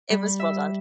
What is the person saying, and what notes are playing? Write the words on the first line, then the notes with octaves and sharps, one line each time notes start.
it was well done.
G3
E5